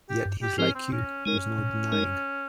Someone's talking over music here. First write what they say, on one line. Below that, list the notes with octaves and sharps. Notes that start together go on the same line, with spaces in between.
Yet he's like you, there's no denying.
G4
G2
G4
F3 C4 C#4 G4 A#4
C4
A#2 C#4
G#3 C#4 D#4 A#4
A#2
G#3 D#4 A#4